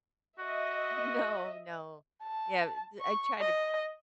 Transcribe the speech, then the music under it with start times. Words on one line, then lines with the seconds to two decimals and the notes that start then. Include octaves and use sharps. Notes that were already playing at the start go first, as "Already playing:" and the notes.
No, no. Yeah, th I try to
0.39 F#4 D#5 E5
2.23 A5
3.01 C#6
3.40 D#5